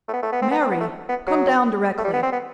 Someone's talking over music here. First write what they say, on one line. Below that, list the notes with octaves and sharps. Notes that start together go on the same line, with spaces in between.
"Mary! come down directly."
A3
B3
A3
B3
C4
B3
C4
B3
A3
B3
F#3
A3
G3
B3
C4
B3